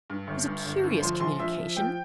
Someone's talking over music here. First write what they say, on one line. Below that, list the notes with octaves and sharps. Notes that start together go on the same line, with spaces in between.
It was a curious communication.
G2
G1
G2
G1
D3
F3 C6
A#1 C6
F3 E5
F3
F3 G5